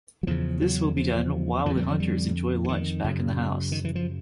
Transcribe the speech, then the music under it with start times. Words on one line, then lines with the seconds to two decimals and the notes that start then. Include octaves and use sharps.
This will be done while the hunters enjoy lunch back in the house.
0.23 F#3
0.27 E2 C#3 F3
0.62 F#3
0.97 F3
1.65 F2 D3 F3
1.77 G3
1.88 F#3
2.00 G3
2.64 E3
2.68 D#3
3.04 F#2 C#3
3.72 D#3
3.84 E3
3.95 F3